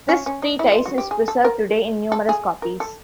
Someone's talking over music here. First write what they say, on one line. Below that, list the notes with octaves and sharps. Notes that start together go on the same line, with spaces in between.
This treatise is preserved today in numerous copies.
C#4
C#4
D#4
E4
F4
F#4
G4
G#4
A4
A#4
A4
G#4
A#4
A4